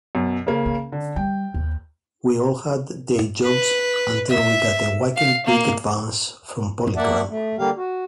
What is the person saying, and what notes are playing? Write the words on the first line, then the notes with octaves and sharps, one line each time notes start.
We all had day jobs until we got a whacking big advance from Polygram.
F#2 B2
C#3 A#3
C#4
D3
G3 G5
D#2
B4
E5
F5
A#3
A#3 D5 E5 F#5 A5
A3
D3 G3 A#3 G4 F5
F#4